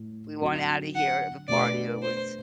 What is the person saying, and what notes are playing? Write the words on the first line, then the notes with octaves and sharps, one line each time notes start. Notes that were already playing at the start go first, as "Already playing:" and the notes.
we want outta here, the party, yeah, was
Already playing: A2 A3
D3 F#3 C4 F#4
F#5
B2 A3 D4 G4 B4 D5
C5